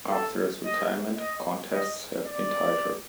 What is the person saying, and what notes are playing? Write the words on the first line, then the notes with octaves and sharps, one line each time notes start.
After his retirement, contests have been tighter.
A4
D#5
D#5
D#5
D5